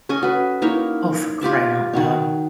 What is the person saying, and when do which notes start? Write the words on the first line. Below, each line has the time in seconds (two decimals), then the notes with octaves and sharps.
Oh, for crying out loud.
0.09 C#4 A4 D#5 G#5
0.22 F#4 B4
0.62 A#3 D#4 E4 C#5
1.41 F4 G4 D5 E5
1.93 D#3 F#4 C#5